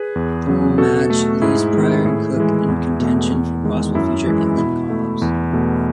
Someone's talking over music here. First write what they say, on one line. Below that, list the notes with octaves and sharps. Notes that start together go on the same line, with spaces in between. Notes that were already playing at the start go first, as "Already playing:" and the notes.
The match leaves Prior and Cook in contention for possible future England call-ups.
Already playing: G#4 B4
E2
C#3 F#3
B2 F#4 A4
A3
G#2 E4 G#4
D#3 G#3
A2 E4 G#4
E3 G#3
E2
B2 A3
E2
D#3 G#3
F#2 E4
E3 G#3
B2 E4
A3
E2 E4
B2 A3